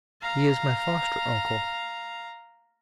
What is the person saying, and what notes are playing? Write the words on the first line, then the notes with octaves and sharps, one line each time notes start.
"He is my foster-uncle."
F5 A#5